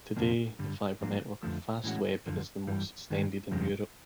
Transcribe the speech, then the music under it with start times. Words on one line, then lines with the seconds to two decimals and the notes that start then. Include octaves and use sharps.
Today the Fiber Network of Fastweb is the most extended in Europe.
0.16 F2 C3 F3 A#3 D4
0.59 G2 D3 G3
1.01 G#2 F3 A#3 D4
1.43 F2 D3 F3 A3
1.84 A2 E3 G#3 C#4 F#4
2.26 F#2 D3 F3
2.67 G2 E3 G3
3.10 G2 D#3 G#3
3.51 F2 C#3 F3 G#3 C4